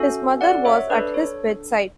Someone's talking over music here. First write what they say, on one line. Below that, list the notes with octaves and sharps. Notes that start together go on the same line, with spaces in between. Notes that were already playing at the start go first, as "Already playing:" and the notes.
His mother was at his bedside.
Already playing: C#4 F#4 A4 E5
D5 F#5
C#5 E5
D4 A4 B4 D5
C#5